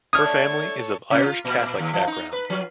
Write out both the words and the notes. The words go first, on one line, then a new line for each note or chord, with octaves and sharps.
Her family is of Irish Catholic background.
A3 D4 A4 C#5 D#6 F6 G#6
C3
F4
A#2
A#2
D#2
F3
D#4
B4
F3